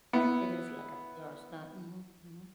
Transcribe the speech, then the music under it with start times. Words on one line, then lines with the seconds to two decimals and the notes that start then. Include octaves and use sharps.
It is, like, a PR stunt. Mhm, mhm.
0.13 B3 E4